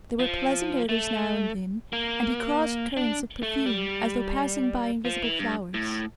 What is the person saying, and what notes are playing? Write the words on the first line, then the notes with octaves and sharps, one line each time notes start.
There were pleasant odours now and then, and he crossed currents of perfume, as though passing by invisible flowers.
F3
A3
A#3
D4
A3
G3
F3
E3
G2
A2